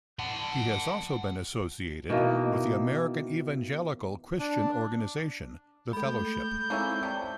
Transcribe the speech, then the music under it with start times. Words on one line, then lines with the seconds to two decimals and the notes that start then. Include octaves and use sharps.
He has also been associated with the American evangelical Christian organisation, The Fellowship.
0.19 F#5 A5
2.10 B2 D#3 E3 A#3
4.39 D4
5.93 G#3 A3 A4 B5 G6
6.70 G#3 A#3 C4 C#4 D#4 E4
7.03 C3 D5 A5 C#6